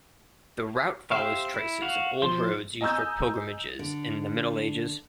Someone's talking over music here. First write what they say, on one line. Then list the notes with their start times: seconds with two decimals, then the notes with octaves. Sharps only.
The route follows traces of old roads used for pilgrimages in the Middle Ages.
1.11 G4 C5 E5 F5
1.54 E4
1.82 F#4 F5
2.22 F3 C5 C6
2.81 D#5 G#5 A#5 D#6 E6 G6
3.79 D3